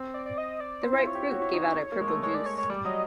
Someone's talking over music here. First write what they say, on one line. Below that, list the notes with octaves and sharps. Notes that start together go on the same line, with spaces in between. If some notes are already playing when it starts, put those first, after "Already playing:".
The ripe fruit give out a purple juice.
Already playing: C4
D5
D5
D#5
D5
C4 C5
E4
F4
C#5
G4
F#4
E4
D#4
D#4
A#3
G#3
A3
G#3 C#5
D5
C#5
C#5
G3 D5
F#3 D#5